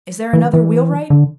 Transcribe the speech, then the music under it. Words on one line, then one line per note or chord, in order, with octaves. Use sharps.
"Is there another wheelwright?"
E3
E3
D3